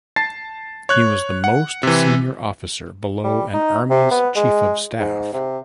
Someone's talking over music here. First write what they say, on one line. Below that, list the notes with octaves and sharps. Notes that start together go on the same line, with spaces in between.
He was the most senior officer below an Army's Chief of Staff.
A5 A6 C7
C#5 F#6 G#6
F#5
C3 E3
G3
D#4
C3
B3
G#3
G#2
C3